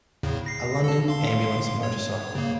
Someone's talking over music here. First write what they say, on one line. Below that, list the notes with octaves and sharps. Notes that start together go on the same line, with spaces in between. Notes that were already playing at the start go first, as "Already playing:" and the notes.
A London ambulance motorcycle.
E2 A2 C#3
A#6 C7
A4 A5
F5 C6
C#5
C#3 A#3